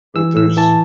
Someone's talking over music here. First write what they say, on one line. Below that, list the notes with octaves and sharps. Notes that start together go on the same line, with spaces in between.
But there's
E3 E6
A2 E6
E3 A5